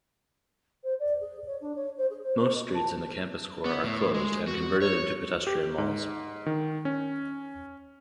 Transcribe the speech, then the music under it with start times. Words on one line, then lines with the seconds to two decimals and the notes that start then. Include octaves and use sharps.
Most streets in the campus core are closed and converted into pedestrian malls.
0.83 C5
0.99 D5
1.21 G#4
1.46 C#5
1.61 D4
1.75 C#5
1.97 C5
2.10 G#4
2.23 C5
2.39 C5
2.55 D#5
2.74 A5
3.65 B3
3.83 A2
4.14 G#3
4.47 F#4
4.82 C#5
5.47 G4
5.78 G#2
6.46 D#3
6.85 C#4